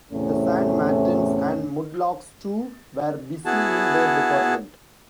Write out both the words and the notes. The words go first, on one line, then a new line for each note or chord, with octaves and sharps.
The sand-martins, and mudlarks, too, were busy in their department.
E2 A2 C3 A3 C#4
B3 E4 F#4 G#4 A5